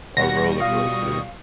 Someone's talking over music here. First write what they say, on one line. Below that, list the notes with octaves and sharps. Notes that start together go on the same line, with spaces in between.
a roller coaster.
B2 G3 F#5 C#6 A#6
F4 D#6